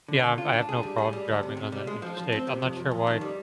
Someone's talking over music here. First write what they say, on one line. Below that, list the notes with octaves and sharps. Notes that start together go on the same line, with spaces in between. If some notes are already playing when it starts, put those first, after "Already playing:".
Yeah, um, I, have no problem driving on the interstate, I'm not sure why
D3
D3
F4
D4
G#4
G3
G#4
G3
D2
C3
C3
G3
G#3
F3
F3
C4
C3
F2
F2
F2
D#3
G3